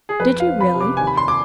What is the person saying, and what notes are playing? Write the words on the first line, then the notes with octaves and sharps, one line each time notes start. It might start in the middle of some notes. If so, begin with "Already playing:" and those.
"Did you, really?"
G#4
F2 B4
F5
C4
B5
C3
D6
D#2 G#5
B5
C6
D6